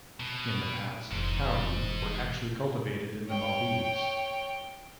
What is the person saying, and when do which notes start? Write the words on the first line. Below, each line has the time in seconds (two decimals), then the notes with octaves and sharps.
In the past, cowry were actually cultivated in the Maldives.
0.20 B2
1.11 F1 G#2 E3
3.27 C#5 G5